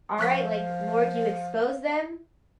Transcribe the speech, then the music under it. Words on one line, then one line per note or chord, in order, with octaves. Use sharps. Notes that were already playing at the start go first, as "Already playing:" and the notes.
All right, like, "Lord, you expose them,
F3 F5 C#6 F#6 B6